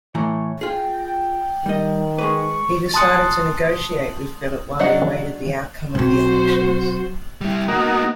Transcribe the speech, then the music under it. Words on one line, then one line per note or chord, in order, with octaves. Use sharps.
He decided to negotiate with Philip while he awaited the outcome of the elections.
A2 E3 C#5 A#5
F4 G#4 G5
D#3 G3 D#5
G#3 G#4 B4 C#6
A5 C6 D#6 F#6 C#7
F#3 D4 D#5 F#5
B1 F#3 C4 F#4 C5
G3 E4
A#3 B3 D#4 F#4 A#4